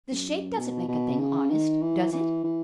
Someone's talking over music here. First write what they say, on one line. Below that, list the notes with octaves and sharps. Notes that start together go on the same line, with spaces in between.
"The shape doesn't make a thing honest, does it?"
F#2
B2
B2
C#3
D#3
E3
E3
E3